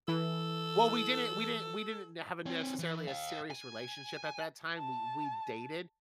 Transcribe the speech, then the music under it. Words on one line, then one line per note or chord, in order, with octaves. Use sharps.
Well, we didn't we didn't we didn't have a necessarily a serious relationship at that time, we we dated,
E3 A4
C4 C#5
E3
D#5 F5
G#5
A5